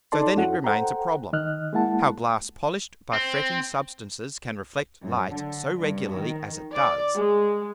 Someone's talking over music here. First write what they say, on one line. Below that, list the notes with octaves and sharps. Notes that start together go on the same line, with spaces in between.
So then it remains a Problem, how Glass polish'd by fretting Substances can reflect Light so regularly as it does.
D#4 A4 D5 A5 C6
F2 C#4 E4 F#4 A4 F#5
A4 C5 F#5 G5 A#5
D#3 D#5 F6 F#6
G#3 A#3 E4 F#5 A5
C4
F#2
D3
G2
D#3
D5
G#3